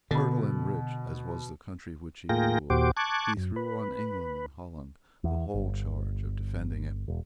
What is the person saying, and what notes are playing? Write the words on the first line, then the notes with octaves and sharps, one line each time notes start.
Fertile and rich as was the country which he ruled, he threw on England and Holland the whole charge of defending it.
B2 D3 B5
A2 A#3 F4 G#4 G5 A#6
D#2 A#2 F#4 G4 C5 D6
A5 C#6 D6 F#6 G#6
F#2
B4
E2
G1
E1